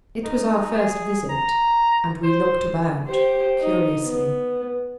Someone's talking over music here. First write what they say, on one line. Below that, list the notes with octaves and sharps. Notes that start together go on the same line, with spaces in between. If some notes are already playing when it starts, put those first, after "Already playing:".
It was our first visit, and we looked about curiously.
D#4
G#4
A#5
C5
G4 C5
D#4
B3